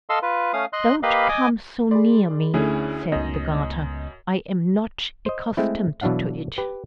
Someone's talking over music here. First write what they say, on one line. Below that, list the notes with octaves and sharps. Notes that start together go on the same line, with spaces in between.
"Don't come so near me," said the garter: "I am not accustomed to it."
A4 D#5 F5 C6 E6
F4 B4
A3 C#4 F5 D#6
D#5 C6 F#6
A#3 G4 B4 D#5 F5 B5
D#5 G#5 D6 D#6
G#4 D5 B5 C6
D2 D3 A3 C#4 D#4 E4 G#4 C#5
C#2 F#2 B3 D#5
C5 D#5
G#3 A3 C4 E4
B2 E3 F#3 D4 F5 F#5
G4 B4